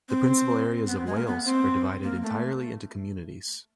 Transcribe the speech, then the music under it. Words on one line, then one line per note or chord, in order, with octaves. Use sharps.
The principal areas of Wales are divided entirely into communities.
C4
B3
C4
G#3
A#3
B3
C4
A#3
A3